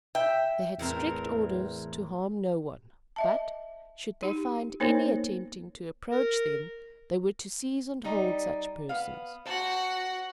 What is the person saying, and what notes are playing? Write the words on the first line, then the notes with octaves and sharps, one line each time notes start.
They had strict orders to harm no one; but, should they find any attempting to approach them, they were to seize and hold such persons.
E5 G5
E2 A2 C4 A#4
D#5 E5 A5
D#4 G4
A#3 B3 D#4 A#4 C5 C#5
A#4
G3 D#4
B3 F5
F#4 C5 F#5 A5